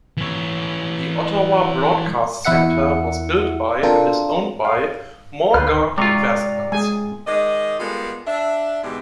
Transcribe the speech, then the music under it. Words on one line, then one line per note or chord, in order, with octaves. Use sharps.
The Ottawa Broadcast Centre was built by and is owned by Morguard Investments.
E3 C#5
E2 E4 E5 F#5 C#7
C4 D4 F4 A4 A#4 C5
F5
D2 D#3 B4 C5 F6
C3 G#3 F4 D5 A#5 C#6
G#3 G#4 G#5
D#3 G#3 D5 D#5
G3 G#3 A#3 B3 F4 A4
D4 E5
G#2 B2 E3 G#3 B3 G4